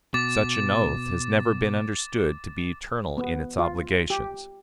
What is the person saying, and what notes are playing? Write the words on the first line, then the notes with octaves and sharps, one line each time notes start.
Such an oath has never been understood to be eternal in its obligations.
B2 D6 A6
B3
F4
G4